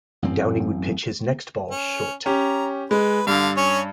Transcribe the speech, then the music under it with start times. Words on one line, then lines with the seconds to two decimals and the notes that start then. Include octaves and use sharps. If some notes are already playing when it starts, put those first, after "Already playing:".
Downing would pitch his next ball short.
0.22 A1 F#2 C4
1.71 C#4
2.26 C#4 G4 A#5
2.91 G#3 B4
3.27 G2 D3 F5
3.57 C#4 C#5